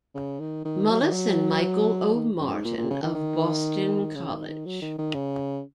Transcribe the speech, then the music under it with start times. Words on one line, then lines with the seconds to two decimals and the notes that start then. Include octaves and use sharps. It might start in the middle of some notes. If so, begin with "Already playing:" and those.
Mullis and Michael O. Martin of Boston College.
0.15 C#3
0.40 D#3
0.65 D#3
0.90 F#3
1.01 D#3
1.12 F#3
2.15 D#3
2.40 F#2
2.52 G#2
2.65 A#2
2.77 A#2
2.90 C#3
3.02 D#3
3.14 D#3
4.15 C#3
4.32 D#3
4.48 D#3
4.66 F#3
4.81 D#3
4.98 D#3
5.14 C#3